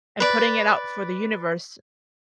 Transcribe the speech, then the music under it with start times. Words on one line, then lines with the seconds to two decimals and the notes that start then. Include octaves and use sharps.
and putting it out for the universe.
0.20 B4 D5